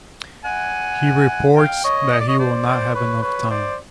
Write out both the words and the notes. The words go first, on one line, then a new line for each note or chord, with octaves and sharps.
He reports that he will not have enough time.
F#5 G#5
F5 G5
C#5 D#5
D#5
D5
C#5 D#5
C5 D5
C5 D5
B4 C#5
B4 C#5
C5 D5